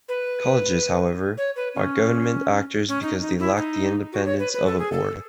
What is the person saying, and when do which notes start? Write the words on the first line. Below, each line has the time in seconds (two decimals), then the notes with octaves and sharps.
Colleges, however, are government actors because they lack the independence of a Board.
0.09 B4
1.37 C#5
1.56 B4
1.75 C#4
2.88 C#4
3.02 D#4
3.20 D#4
3.39 E4
3.57 D#4
4.12 F#4
4.25 C#5
4.39 B4
4.54 B4
4.66 A4
4.79 G#4
4.92 A4